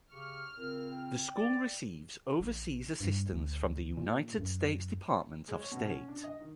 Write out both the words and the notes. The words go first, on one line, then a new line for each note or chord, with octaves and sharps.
The school receives overseas assistance from the United States Department of State.
C#3 G4 C#6 F6
A#2 C#3 C4 A#4
G5
D5
A#1
G2
D2
A#2
F#2
G#3
C#5
B2
C#4
D4
D#5
D#3